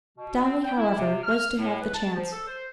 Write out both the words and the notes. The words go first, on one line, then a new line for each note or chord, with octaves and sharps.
Dolly, however, was to have the chance.
B2
C4
G5
E4
C3
F6
A2
B4
A5
F3
A4
C5